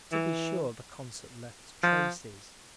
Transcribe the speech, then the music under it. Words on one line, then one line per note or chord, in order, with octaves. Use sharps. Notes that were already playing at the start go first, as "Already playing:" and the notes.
To be sure, the concert left traces.
E3
F3